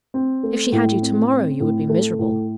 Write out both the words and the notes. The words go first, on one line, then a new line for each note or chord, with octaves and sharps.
If she had you to-morrow, you would be miserable.
C4
A3
A2
C4
C4
A2
A3
A2